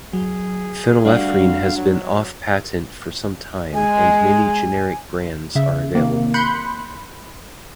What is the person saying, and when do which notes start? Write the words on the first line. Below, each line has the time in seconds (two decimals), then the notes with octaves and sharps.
Phenylephrine has been off patent for some time, and many generic brands are available.
0.13 F#3 G#4
1.05 G3 D4 F#4 F5
1.77 F#3
3.74 G#3 G#5
5.55 C#3 E5
5.95 C3 D#3 A#3
6.34 B5 C6 F#6 G6 C#7